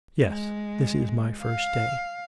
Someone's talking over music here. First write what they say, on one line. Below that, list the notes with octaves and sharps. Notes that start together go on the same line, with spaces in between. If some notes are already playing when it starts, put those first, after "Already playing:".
'Yes, this is my first day.'
G#3
F5